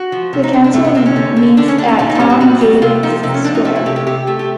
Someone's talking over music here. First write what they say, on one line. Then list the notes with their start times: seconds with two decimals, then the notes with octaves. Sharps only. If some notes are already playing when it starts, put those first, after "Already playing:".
The council meets at Tom Davies Square.
Already playing: F#4
0.12 F3
0.33 C3
0.43 D#4
0.53 C3 D4
0.64 D4
0.74 C3 A3
0.85 B3
0.95 C3 C4
1.06 C#4
1.16 D3
1.36 D3
1.57 D3 D4
1.68 C#4
1.78 D3 D4
1.88 D#4
1.99 A#2 D#4
2.10 D#4
2.15 C4
2.19 G3 C#4
2.30 C4
2.40 G3 F#4
2.61 G3
2.82 C3 F4
3.03 F3 D#4
3.23 C3 D#4
3.34 C#4
3.44 F3 D4
3.55 D#4
3.65 A3 D#4
3.76 E4
3.86 C3 G4
3.96 G4
4.07 C3 G4
4.27 A3
4.39 G4